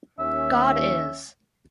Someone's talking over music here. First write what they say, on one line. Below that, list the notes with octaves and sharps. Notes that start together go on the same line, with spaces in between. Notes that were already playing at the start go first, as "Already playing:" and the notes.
God is.
D#2 C#4 E5